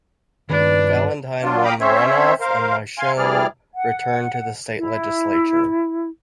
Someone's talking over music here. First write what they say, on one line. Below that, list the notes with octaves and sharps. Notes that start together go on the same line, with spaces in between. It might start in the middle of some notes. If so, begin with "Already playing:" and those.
Valentine won the runoff, and Michaux returned to the state legislature.
G2 D#3 D4 B4
F#3 D4 F4
F5 G5 A#5 B5 D6 D#6
C4 C#4 C5 C#5 E5
A#4 C5 F5
F5 G#5 C6
D2 E3 G3 G#4 D5 F6
F#5
E4